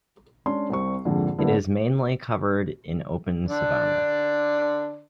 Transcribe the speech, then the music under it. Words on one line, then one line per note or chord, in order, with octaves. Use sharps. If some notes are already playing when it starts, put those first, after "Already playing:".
It is mainly covered in open savanna.
G#3 C#4 D4 C6
C2 G3 C4 C#6
A#1 F2 G#2 D3
G2 D3 A#3 B3 E4
D3 D4 D5